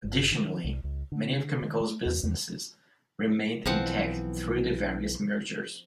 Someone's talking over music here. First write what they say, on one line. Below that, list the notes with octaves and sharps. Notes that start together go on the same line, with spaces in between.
Additionally, many of Chemical's businesses remained intact through the various mergers.
G1
D#3
C2
C#2
D3
D#3
A3
E2
E2
B1 E3 F3 C4 F#5